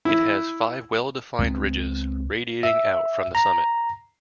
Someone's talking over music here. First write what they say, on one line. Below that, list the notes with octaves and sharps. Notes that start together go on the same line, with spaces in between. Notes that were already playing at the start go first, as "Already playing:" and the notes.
It has five well-defined ridges radiating out from the summit.
E4
C#2 B3 C4
E5
A#5